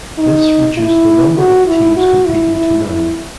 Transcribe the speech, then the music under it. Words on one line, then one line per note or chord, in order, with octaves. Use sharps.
This reduced the number of teams competing to nine.
D#4
E4
F#4
E4
F#4
E4
E4
E4